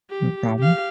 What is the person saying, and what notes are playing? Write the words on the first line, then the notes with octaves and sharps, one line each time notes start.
No problem.
G4
G4 F5